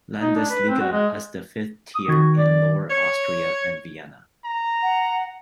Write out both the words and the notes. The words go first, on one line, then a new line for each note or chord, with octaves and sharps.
Landesliga as the fifth tier in Lower Austria and Vienna.
D#4
D4
B4
C4
F#4
G#3
D#6
D#3 F#4 G#6
D5
C#5
A#5
F#5